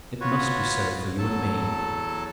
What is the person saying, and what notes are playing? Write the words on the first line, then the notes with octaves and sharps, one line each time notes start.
It must be so for you and me.
F4 F#4 B4 C#5
E2 F#3 A4 A5